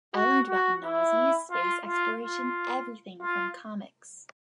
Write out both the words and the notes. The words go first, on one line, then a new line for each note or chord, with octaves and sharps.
I learned about Nazis, space exploration, everything from comics.
F#4
F#4
E4
F4
F4
F4
F4